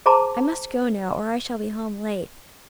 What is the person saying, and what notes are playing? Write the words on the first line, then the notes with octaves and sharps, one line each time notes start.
I must go now or I shall be home late.
G#4 C5 A5 A#5 C6 D6